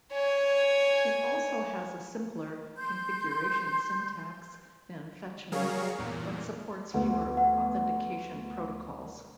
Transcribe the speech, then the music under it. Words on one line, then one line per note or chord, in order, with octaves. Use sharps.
It also has a simpler configuration syntax than fetchmail, but supports fewer authentication protocols.
C#5 G#5
C6 G6
F#3 G3 G#4 A#4 C#5 F5
E2 G2 A#2
D2 B3
F#5